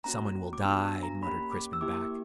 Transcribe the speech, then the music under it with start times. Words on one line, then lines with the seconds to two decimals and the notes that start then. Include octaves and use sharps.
"Someone will die," muttered Crispin back.
0.04 A#3 C#4 F#4 A#5
0.53 D6
0.64 B3 D4 F#4 E6
1.03 A#5
1.23 A#3 C#4 G4 B5
1.52 D6
1.73 E6
1.81 A#3 E4 G4 D6